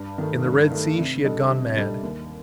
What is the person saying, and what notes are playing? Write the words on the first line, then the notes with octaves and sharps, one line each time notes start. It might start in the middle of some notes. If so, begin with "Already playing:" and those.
In the Red Sea she had gone mad.
Already playing: G2
D#3 A3
G2
D#3 A3
C3
G3 D4 A4 D#5
C3
G3 D4 A4 D#5
D#2